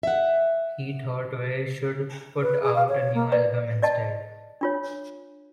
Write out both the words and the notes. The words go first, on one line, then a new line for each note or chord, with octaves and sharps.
He thought we should put out a new album instead.
E5 F#5
B4
G#4
F5
C#5
A#3
B4 D5
D5 D#5 A5
D4 F4 C#5